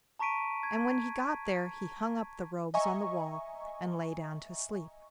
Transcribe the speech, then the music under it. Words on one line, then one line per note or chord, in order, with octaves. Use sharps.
And when he got there he hung up the robes on the wall, and lay down to sleep.
A5 A#5 C#6 B6 D7 D#7
G#6
D#5 E5 G#5 A#5 C#6